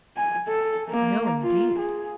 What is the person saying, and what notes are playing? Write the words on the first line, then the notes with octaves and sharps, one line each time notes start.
No, indeed!
G#5
A4
A#3
F4
G#4